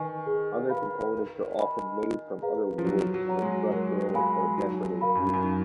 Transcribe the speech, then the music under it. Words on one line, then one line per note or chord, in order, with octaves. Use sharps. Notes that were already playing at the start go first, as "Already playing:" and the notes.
Other components are often made from other woods for structural or decorative reasons.
Already playing: D#3 B4 D#5 G#5 C#6
G#4
B4 F5 B5
A#4
D#5 G#5 B5
D#4
G#4 B4 F5 A#5
F3
F#3 D#4
F#3
F#4 C#5 F#5 A#5
G#3
F#3 A#4
G#3 F5 G#5 B5
F#3 D#4
A#4 F5 B5
F#2
F#2
D#4